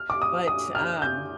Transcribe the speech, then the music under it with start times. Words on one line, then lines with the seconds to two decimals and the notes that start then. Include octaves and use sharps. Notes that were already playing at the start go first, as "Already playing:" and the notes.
but, um,
Already playing: F6
0.10 D6
0.22 D#6
0.48 D#6
0.75 F6
1.02 G6